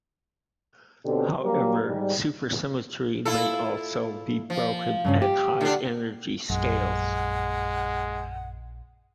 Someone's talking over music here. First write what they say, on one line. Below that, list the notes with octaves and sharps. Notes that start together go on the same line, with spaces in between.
However, supersymmetry may also be broken at high energy scales.
B2 D3 C4 C#4 G4 A4
F#3 G3 A#3 D4 G4
G#2 G3
E4 F4 A4
F3
G2 C#3 C#4
G4
D3 D4
A#1 F#2 G#3 F#5